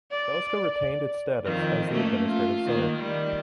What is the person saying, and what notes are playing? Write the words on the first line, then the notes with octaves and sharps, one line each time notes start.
Bauska retained its status as the administrative center.
D5
F2 D#3
A3 A#3 C#4
F4
D#3 A#3
D#3 G3